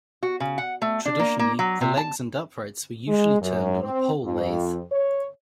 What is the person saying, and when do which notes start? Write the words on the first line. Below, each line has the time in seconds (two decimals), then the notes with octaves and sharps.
Traditionally, the legs and uprights were usually turned on a pole lathe.
0.23 F#4
0.40 C#3
0.58 F#5
0.82 A3
1.05 D4
1.19 A#3
1.39 A#3
1.59 F#3
1.81 C3
1.97 A5
3.08 G#3
3.40 F#2
3.82 C4
4.23 F2
4.91 C#5